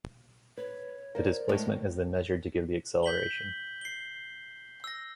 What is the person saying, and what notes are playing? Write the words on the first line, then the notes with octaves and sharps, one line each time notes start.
The displacement is then measured to give the acceleration.
B4 C#5
A4 A#4 C5 D5
A2 G#3
G6 B6 F#7 G7
C7 G7
E6 A#6